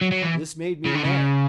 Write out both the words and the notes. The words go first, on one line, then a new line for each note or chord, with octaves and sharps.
This made me mad.
F#3
F#3
E3
C#3
D3
C#3